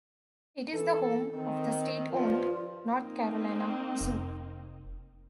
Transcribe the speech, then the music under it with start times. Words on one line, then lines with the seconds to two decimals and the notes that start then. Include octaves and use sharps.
It is the home of the state-owned North Carolina Zoo.
0.73 E3 A4
1.33 D#3 C4
2.12 G2 F3 F4
2.91 A#3 C4 D#4
4.01 F1